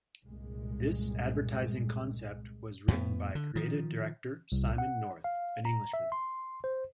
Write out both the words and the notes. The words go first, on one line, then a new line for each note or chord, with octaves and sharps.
This advertising concept was written by Creative Director Simon North, an Englishman.
C2 G2 A#2 G#3
F2 A2 A3 B3
D3
D#3 F3
C2
F#5
F5
A#5
E5
C6
C5